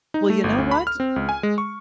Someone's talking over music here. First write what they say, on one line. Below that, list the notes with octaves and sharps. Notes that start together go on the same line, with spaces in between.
"Well, you know what?
D#4
A3
G1
D2
B5
F6
C4
C#2
G#5
G#3
C#6